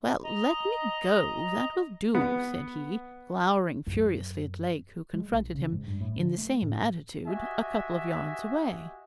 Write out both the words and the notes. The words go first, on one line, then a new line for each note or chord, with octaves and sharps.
'Well, let me go; that will do,' said he, glowering furiously at Lake, who confronted him, in the same attitude, a couple of yards away.
D#5 A#5
B3
F#2
G#3
B1
C#3
G#2
G2
A2
D3
A3
A2
F#4 G4 D#5 E5 G#5